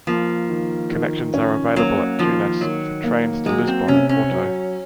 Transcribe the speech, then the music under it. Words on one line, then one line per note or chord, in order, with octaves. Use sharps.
Connections are available at Tunes for trains to Lisbon and Porto.
F3 A#3
D#3
D#3
C#4
F#3 A#3
D#3 F3
D#3 F#3
A#3
F#3 G#3
C4
C3 C#4
C#4
F#3